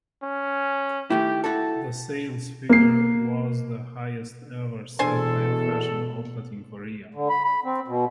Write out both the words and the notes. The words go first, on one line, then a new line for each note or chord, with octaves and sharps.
The sales figure was the highest ever set by a fashion outlet in Korea.
C#4
D#3 A3 E4 G4
E4 F#4 A4 A5
A#3 C7
E2 B2 D4 A4 C5 G#5
D3
B5
B5
C4
B2